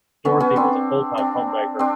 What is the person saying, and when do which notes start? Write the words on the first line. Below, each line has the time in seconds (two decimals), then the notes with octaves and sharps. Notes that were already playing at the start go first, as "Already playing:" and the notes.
Dorothy was a full-time homemaker.
0.25 B3 C#4
0.40 B3 C#4
0.56 C4 D4
1.18 C4 D4
1.79 C4 D4